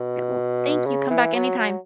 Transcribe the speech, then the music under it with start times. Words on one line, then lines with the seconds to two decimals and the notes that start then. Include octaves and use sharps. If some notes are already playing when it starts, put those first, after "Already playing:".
Yep. Well, thank you. Come back anytime.
Already playing: B2
0.86 C#3
1.10 E3
1.34 F#3
1.59 F#3